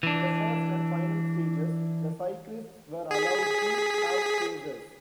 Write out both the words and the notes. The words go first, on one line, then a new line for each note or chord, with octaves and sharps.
In the first and final stages, the cyclists were allowed to have pacers.
E3 D4
G#4 B6